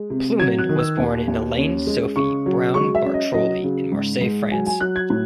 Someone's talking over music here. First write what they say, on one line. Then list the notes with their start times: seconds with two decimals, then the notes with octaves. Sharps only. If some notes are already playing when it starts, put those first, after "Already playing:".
Plewman was born Eliane Sophie Browne-Bartroli in Marseilles, France.
Already playing: G#3
0.10 C3
0.39 F#3 G#6
0.59 F#6
0.69 D#3
0.79 E6
0.98 D#2
1.28 D#2
1.57 C#4
1.87 G#3
2.16 C#3 C#6
2.46 F#3
2.74 G#3 C#6
2.95 E5
3.05 C#4
3.14 D#5
3.34 F#3 D#5
3.64 C#3
3.92 G#2
4.21 G#2
4.51 F#3 G#5
4.66 G#5
4.80 F#3 F#6
4.96 G#6
5.10 A2